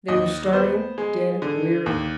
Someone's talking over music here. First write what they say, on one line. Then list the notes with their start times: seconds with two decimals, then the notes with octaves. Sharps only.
They were starting dead weary.
0.08 D#2 D#5
0.53 B3 C5
0.98 G#3
1.42 D3
1.86 D#2